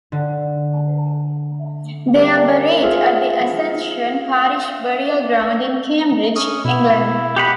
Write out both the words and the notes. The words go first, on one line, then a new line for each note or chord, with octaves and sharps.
They are buried at the Ascension Parish Burial Ground in Cambridge, England.
D3
G3 G4 A#4 D5 E5 F5
F4 G#4 C5 E5
C#4 D#6
B2 E4
G4 D#5 F#5 B5